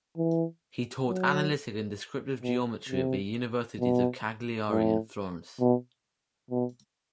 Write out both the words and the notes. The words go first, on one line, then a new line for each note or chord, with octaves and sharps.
He taught analytic and descriptive geometry at the Universities of Cagliari and Florence.
E3
F#3
B2
C3
B2
A2
B2
B2